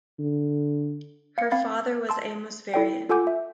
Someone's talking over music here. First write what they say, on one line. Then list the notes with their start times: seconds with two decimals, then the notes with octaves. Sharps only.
Her father was Amos Varian.
0.19 D3
1.38 F5 C#7
1.51 C4 F5 B5 A6
2.09 A5 C6 E6
2.74 E4 A4 D5 G5
3.09 F4 A4 F#5 G#5 D6 G6
3.27 E5